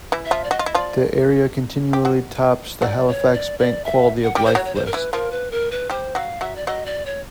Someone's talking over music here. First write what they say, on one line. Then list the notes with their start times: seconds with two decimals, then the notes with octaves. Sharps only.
The area continually tops the Halifax Bank Quality of Life list.
0.12 E3 E4
0.25 E5
0.31 F3 F4
0.44 D5
0.51 F#4 D#5
0.59 F4
0.66 E4
0.75 F3 F4 D5
1.93 G4
2.05 F#3 F#4
2.82 F#3 F#4 D5
3.08 C#5
3.34 D5
3.59 D5
3.85 E5
4.24 F#5
4.35 G3 G4 G5
4.46 C5
4.55 F#3 F#4 C#5
4.65 C#5
4.75 C5
4.86 A#4
4.93 E3 E4 B4
5.12 F3 F4 A#4
5.32 B4
5.51 A#4
5.71 B4
5.90 G3 G4 C5
6.15 F#3 F#4 F5
6.41 F#3 F#4 E5
6.56 D5
6.67 F#3 F#4 D#5
6.86 D5
7.06 C#5